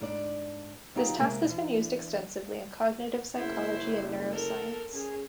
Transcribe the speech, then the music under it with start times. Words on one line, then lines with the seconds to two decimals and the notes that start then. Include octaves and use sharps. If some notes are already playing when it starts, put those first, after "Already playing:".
This task has been used extensively in cognitive psychology and neuroscience.
0.01 G#2 D4 D5
0.95 F#3 C4 D#4 F4 G4 A#5
1.18 C3 G#3 A#3 G#4
1.45 E3 D4
3.37 F#1 E4 C5
4.32 A4 A#4
4.94 C#4 G#4